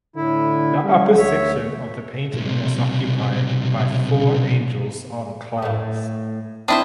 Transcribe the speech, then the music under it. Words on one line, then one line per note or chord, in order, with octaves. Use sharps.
The upper section of the painting is occupied by four angels on clouds.
A2 D3 E4
G3 C#4
D2 C#5 E5
B1 C3
A2 A3
C4 D4 E4 C5 D#6